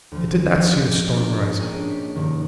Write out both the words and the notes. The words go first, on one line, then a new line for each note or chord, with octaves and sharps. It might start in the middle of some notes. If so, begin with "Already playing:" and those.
They did not see the storm rising.
D2 F3
D#5 D6 G6
D4 F4 A#4
G#3 A#3 C#4 D4 G4 G#4
B6
F1 G2 D#3